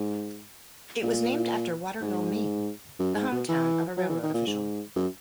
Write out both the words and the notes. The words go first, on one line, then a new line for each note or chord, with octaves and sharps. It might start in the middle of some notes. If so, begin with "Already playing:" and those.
It was named after Waterville, Maine, the hometown of a railroad official.
Already playing: G#2
A#2
G#2
F#2
G#2
B2
E3
F#3
E3
D#3
A#2
G#2
F#2